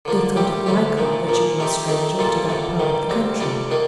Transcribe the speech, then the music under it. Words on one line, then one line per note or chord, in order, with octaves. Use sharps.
They thought it likely that you were a stranger to that part of the country.
D3 F3 A#3 D4
A2 G3 C4 G4
D2 D3 A3 C4 G4
A#2 F3 A3
A#2 F3 A#3
D#3 A3 C4 G4
F2 D#3 A3 D#4
A#2 G3 A#3 F4 A4
F2 D3 A3
G2 D#3 G3
D2 D3 G3 C4
F2 C3 G3 D4
D#3 A#3 D4